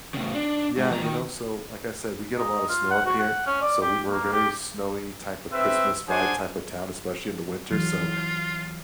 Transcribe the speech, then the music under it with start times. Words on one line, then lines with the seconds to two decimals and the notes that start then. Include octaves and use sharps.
Yeah, you know, so, like I said, we get a lot of snow up here, so we we're a very snowy type of Christmas vibe type of town, especially in the winter, so,
0.14 A2 C#3
0.35 D4
0.77 G#2
0.91 F2 A#5
1.03 D#3
2.36 D#4
2.69 F4
2.91 F#5
3.06 F#4
3.19 F#5
3.47 C#4
3.61 D5
3.82 G4
4.11 A#3
4.32 G4
5.52 C4 B4 E5
6.07 D4 G#4 C5 F#5 G#5
7.72 E3 F#3 F4